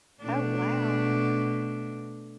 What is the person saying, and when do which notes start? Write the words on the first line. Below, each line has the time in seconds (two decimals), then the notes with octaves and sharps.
Oh, wow.
0.21 B2 A3 D4